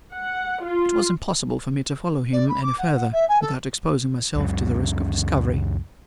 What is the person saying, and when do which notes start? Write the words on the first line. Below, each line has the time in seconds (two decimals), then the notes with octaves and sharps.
It was impossible for me to follow him any further, without exposing myself to the risk of discovery.
0.13 F#5
0.64 F4
2.32 D5
2.49 B5
2.63 D6
2.78 F#5
2.95 F#5
3.12 E5
3.28 G#5
3.42 A4
4.35 C#2 F#2 C#3